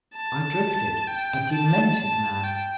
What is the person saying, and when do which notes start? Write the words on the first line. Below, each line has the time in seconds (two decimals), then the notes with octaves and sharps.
I drifted--a demented man.
0.15 A5
1.07 G5
1.52 A5
1.99 A5
2.44 G5